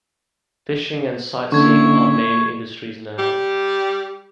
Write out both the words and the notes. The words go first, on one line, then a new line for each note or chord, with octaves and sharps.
Fishing and sightseeing are main industries now.
D3 A#3 C#4 E4 C#6 G#6
G3